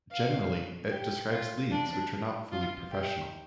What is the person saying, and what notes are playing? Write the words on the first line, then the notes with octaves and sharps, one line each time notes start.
Generally it describes leagues which are not fully professional.
F5
G4
F4
D4
F4
G4